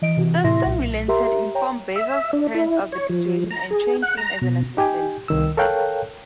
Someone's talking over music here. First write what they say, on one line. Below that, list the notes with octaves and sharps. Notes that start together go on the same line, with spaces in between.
Thurston relented, informed Besser's parents of the situation, and trained him as an assistant.
E3 D#5 D7
C3 E3 F#4
A2 C3 E4 E5 C6 A#6
B1 A#2
G4 A#4 E5 A#5 C6
C#5 G5 A#5
E5
D4
E4
C#5
F3
A#5
G#4
F#5
A#5
B2
D#4 G4 G5 G#5
C2 D#3 E6
A4 A#4 C#5 F5 G5 F#6